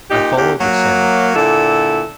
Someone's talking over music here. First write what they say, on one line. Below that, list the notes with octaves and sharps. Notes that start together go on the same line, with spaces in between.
I followed the sound.
A#2 D#4 G4
E2 G4
F#3 A#3
A#2 D3 E4 A4